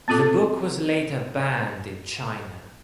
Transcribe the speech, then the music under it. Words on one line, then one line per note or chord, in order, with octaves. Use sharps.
The book was later banned in China.
B3 C4 F4 A4 D6